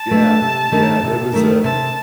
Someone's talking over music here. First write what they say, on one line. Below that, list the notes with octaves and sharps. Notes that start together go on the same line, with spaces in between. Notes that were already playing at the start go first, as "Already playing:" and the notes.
Yeah, yeah, there was a
Already playing: A5
A3 D4
C3
D#3 A3 D#4 A#4
C3
D#3 A3 D#4 A#4
C3 A5